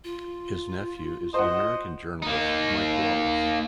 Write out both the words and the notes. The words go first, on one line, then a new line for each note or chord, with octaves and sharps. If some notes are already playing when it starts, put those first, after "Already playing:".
His nephew is the American journalist Mike Wallace.
F4
C5 D#5 F#5
A#3 D#4